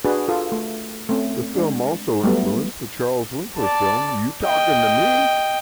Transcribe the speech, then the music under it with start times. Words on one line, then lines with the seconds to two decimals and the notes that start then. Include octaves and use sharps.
The film also influenced the Charles Winkler film You Talkin' to Me?
0.05 D4 F#4 G#4 B4
0.28 F4 A4
0.52 A3
1.09 A3 C4 C#4
1.55 G#3 D4
2.23 F#3 G3 A3 B3
3.57 D5 A5
4.43 D#5 G5